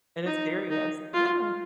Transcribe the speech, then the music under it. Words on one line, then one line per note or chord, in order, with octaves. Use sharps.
And it's serious Yeah.
D#4
D#4
F4